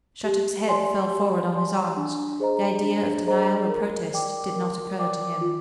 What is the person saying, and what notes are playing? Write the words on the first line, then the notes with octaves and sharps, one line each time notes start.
Shattuck's head fell forward on his arms.--The idea of denial or protest did not occur to him.
G4
D5 G#5 C6
G4
D5 G#5 C6
D4
G#4 C5 D#5 A#5
D4
G#4 C5 D#5 A#5
A#4
D5 G5 D6
A#4
D5 G5 D6
F4